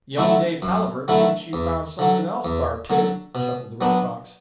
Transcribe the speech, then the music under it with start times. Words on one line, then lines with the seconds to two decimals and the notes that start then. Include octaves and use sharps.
"Young Dave Tolliver thinks you found somethin' else thar, too," chuckled the Red Fox.
0.18 D3 F#3 A3 E4
0.62 F#2
1.08 D3 F#3 A3 E4
1.53 E2
1.99 D3 F#3
2.45 E2
2.90 D3 F#3
3.35 B2
3.81 F#3 B3 D4